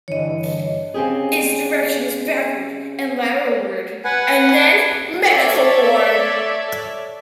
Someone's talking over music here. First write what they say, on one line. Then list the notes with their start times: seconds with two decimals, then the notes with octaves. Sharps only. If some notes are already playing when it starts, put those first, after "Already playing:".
Its direction is backward and lateralward, and then medial ward.
0.08 G2 D3 E3 C#5 D#5
0.94 C#3 C4 C#4 G4 G#4
4.04 B4 F#5 G#5
5.29 A4 C#5 D5 E5